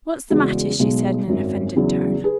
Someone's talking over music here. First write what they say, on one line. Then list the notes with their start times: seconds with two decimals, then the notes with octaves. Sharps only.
"What's the matter?" she said in an offended tone.
0.30 E2 C#3 G#3 C#4 F#4
0.79 B1 B2 G#3
1.28 G#1 F#2 F#3 C#4
1.76 E2 C#3 F#3 E4
2.24 G#4 B4